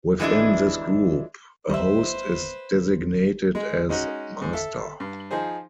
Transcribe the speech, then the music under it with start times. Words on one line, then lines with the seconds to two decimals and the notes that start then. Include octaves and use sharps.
Within this group, a host is designated as "Master".
0.20 E3 G#3 A#3 D4 E4
1.69 G3 B4 C5 D#5 E5
3.55 G#3
3.89 G#3 C#4 D#4 F#4
4.42 G#2
4.53 A4 E5
5.00 G2
5.31 F3 D#4 G#4 C5